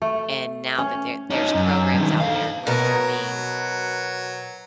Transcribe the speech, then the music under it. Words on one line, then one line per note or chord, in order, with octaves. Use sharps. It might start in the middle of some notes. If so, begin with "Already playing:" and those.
And now that there there's programs out there where we're being
A3
C#4
C#4 D#4
F#2
G2 D#3
A4 F5
B2 F#3 A#4 D#5 F#5